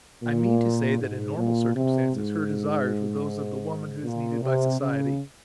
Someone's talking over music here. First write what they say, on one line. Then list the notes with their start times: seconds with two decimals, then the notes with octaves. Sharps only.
I mean to say that in normal circumstances her desires were those of the woman who is needed by society.
0.23 A#2
0.99 G#2
1.37 A#2
1.76 C3
2.14 G#2
4.04 A#2
4.42 C3
4.80 C#3